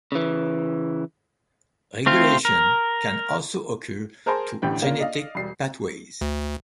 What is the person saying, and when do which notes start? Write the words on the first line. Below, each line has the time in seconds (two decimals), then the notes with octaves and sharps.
Regulation can also occur through genetic pathways.
0.12 C#3 E3
2.06 A3 C4 F4
2.45 A#4
4.26 G#4 A#4 C5 G#5 A5 C6
4.62 A1 A2 D3 G4 G5
4.82 A#3 C#4 D4 F4
4.98 D5 D#5 F5
5.35 E1 G3 C7
6.21 D2